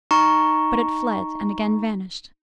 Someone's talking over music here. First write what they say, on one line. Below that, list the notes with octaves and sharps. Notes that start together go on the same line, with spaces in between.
But it fled, and again vanished.
D#4 A#5 C#6